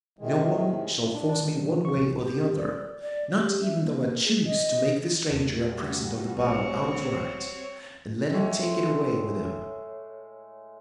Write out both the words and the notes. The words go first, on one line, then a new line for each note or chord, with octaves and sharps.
No one shall force me one way or the other, not even though I choose to make the stranger a present of the bow outright, and let him take it away with him.
A2 C3 D#3 G#3
D4
D4
D#3
F#3
E3
C#6
A#1
G4
D5
D5
G4
E5
A#3
G#4
D#5
E2 G3 A3 F#4
B1 C4 C#5
A2 G#3 C#5